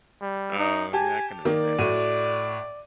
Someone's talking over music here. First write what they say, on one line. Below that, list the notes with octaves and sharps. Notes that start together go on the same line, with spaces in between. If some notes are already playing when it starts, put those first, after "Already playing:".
Oh, yeah, I can understand that.
G3
D#4
G4 G#5 A5
D#3 A#3 D5
A2 F#4 D#7